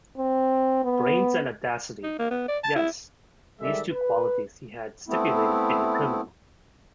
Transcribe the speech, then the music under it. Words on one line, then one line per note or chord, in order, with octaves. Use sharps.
Brains and audacity — yes, these two qualities he had stipulated in the criminal.
C4
B3
D#4
A#3
B3
D5
A5
E4
D#3 G3 G#3 A4 D5 E5
B4
A3 B3 C4 E4